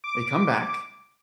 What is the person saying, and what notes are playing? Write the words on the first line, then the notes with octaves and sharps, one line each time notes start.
they come back,
D6